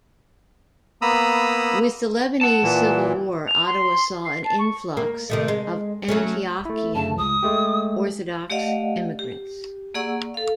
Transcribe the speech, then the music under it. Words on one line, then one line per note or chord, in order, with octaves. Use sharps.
With the Lebanese Civil War Ottawa saw an influx of Antiochian Orthodox immigrants.
A#3 B3 A#5 B5 D#6 E6
F#5 A5
A#2 E3
F7
C6
C7
A5
C#6
A#3
C3 D#3 A3
G#3
F#3 A3 C#4
A3 E4
F#2 C#3 A3 A5
C#2 D#6
G#3 A3 G4
A3 G4 D5 D#5 F5 F#5
G4
A#3 G#4 D5 F#5 C#6 E6
A4 F5